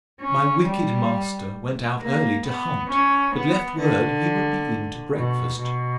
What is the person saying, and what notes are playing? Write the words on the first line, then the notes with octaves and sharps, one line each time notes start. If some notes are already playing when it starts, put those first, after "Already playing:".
My wicked master went out early to hunt; but left word he would be in to breakfast.
C#4
G3
A#3
B3
C#4
B3
D3
B2
B2